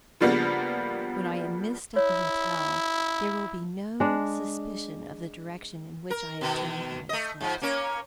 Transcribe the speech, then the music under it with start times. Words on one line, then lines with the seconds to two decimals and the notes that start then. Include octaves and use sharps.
When I am missed at the hotel, there will be no suspicion of the direction in which I have turned my steps.
0.21 C#3 F3 G3 A#3 B3 D4
1.96 E4 C#5
4.00 G#3 D4
6.10 A#4
6.41 B2 D#3
7.09 A3 D#5
7.41 G#2 F3
7.61 A#3 C#4 C#5